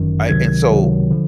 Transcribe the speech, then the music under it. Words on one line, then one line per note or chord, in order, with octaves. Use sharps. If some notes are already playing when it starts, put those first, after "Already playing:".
I and so,
Already playing: G1 F#2 D#3
C#2 C3 D#3 F#3 G#6
C#2 C3 D#3 F#3
D3 F3